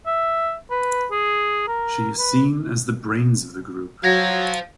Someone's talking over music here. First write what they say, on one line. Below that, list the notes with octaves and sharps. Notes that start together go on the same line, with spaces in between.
She is seen as the brains of the group.
E5
B4
G#4
A#4
B4
F#3 C5 F5 G#6 A#6